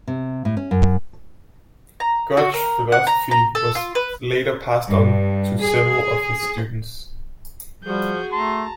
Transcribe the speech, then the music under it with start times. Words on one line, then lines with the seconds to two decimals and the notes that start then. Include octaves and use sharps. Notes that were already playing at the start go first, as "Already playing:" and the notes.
Gotch's philosophy was later passed on to several of his students.
0.08 C3
0.45 A2
0.57 C#4
0.71 F#2
2.00 A#5
2.37 F#4
2.54 A#4
2.92 F#5
3.07 A#5
3.31 A#5
3.55 A4
3.75 F4
3.95 B4
4.88 G2
5.62 G#4
7.83 F3 G3 F#4 G#4 G6
8.32 A3 A5 A#5 C6